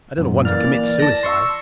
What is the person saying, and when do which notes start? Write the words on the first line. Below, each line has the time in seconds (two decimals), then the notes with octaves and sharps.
"I do not want to commit suicide."
0.18 F#2 A#2
0.45 E3 A#3 D5 F6
1.00 A5 A#6
1.23 C6 C#6 E6